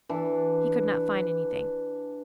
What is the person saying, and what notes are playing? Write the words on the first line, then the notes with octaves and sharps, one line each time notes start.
He could not find anything.
E3 D4